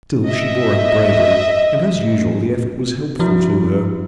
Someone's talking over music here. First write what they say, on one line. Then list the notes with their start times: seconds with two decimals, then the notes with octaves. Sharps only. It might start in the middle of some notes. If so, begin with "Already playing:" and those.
Still she bore up bravely, and as usual the effort was helpful to her.
0.25 D#5 E5
3.19 F3 E4 F#4